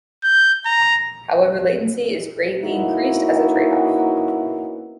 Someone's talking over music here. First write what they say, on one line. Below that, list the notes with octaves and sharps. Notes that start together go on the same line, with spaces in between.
However, latency is greatly increased as a trade-off.
G6
A#5
A#3 B3 C#4 D#4 E4 F#4